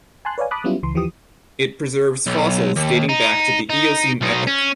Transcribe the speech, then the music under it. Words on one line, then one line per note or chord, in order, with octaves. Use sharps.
It preserves fossils dating back to the Eocene epoch.
G#5 A5 C6 F#6
B4 C#5 D5 F5 G#5
A5 B5 D6 D#6 F#6
F#3 G3 B3 C#4 E4 F4
C#2 E3 C6
D#2 E3 F3 G4 D#6
B1
D#2
D#4
D#4
B1 D#4
C#4